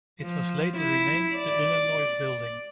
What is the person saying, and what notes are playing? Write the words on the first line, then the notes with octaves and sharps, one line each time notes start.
It was later renamed the Illinois Building.
F3
E4
D5